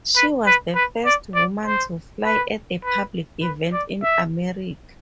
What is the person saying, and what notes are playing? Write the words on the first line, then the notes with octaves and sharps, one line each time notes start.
She was the first woman to fly at a public event in America.
B4
B4
B4
D5
D5
C5
B4
B4
B4
D5
E5